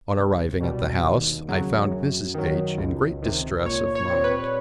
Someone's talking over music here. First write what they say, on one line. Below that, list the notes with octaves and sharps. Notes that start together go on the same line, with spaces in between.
On arriving at the house, I found Mrs. H-- in great distress of mind.
C2
B2 G3
D#2
C#3 F#3
F#2
D#3 F#3
C#2
C3 D#3
A#2 C#5
C#5
G3 C4
B4